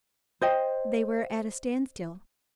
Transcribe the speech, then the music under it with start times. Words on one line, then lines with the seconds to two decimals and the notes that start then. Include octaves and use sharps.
They were at a standstill.
0.41 C5 D#5 G5